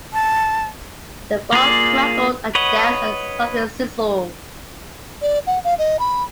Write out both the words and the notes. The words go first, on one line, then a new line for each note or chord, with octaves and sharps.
The fire crackled and danced, and something sizzled.
A5
A#3 F4 G#4 D5
B4 C#5 D#5 F#5
D5
F#5
F5
D#5
B5